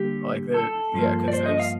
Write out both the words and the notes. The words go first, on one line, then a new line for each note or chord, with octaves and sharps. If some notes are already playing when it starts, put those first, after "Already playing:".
Like the Yeah, 'cause there's
Already playing: D3 G3 A#3 G4
A4
G2 F3 A#3
D5
C5
D#5
F5